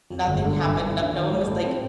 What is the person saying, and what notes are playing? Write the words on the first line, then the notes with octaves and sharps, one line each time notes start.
nothing happened, no no one was like,
F2
G1
D3
G1
G2
A1
D#3
A1
A2
C4